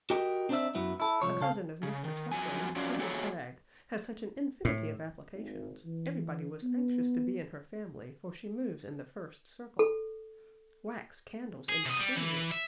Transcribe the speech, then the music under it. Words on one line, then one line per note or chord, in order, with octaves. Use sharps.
A cousin of Mr. Suckling, Mrs. Bragge, had such an infinity of applications; every body was anxious to be in her family, for she moves in the first circle. Wax-candles in the schoolroom!
F#4 G4 A#4 D#5 G5
C4 D4 D#4 C5 D5 E5
F#2 F#3 B3 E4
E4 A4
C2 A2 F3 C#5
C#3 A4 F5
C#3
D#3
F2 F#3 G#5
F3 F#3 C#4 F4 F#4 D5
A#3 F#4 G#4 A4 C#5
A2
G#1
E3
B3
A4
G#4
C3 D#5
G3
E3
E5